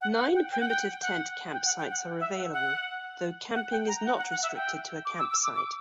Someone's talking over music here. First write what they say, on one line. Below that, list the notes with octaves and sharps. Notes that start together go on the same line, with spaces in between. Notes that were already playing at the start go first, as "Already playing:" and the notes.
Nine primitive tent campsites are available though camping is not restricted to a campsite.
F#5
F#5
G5
G5
F#5
G5
F#5
G5
F#5
G5
F#5
E5
F#5
F#5
F#5
G5
A#5
F#5
F#5
F#5
E5
G5
D6
E6
E6
D6
D6